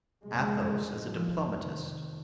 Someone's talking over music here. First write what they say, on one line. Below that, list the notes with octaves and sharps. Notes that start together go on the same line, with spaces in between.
Athos as a Diplomatist.
F2 C3 G#3
G2
G2 F3
F2 C3 D#3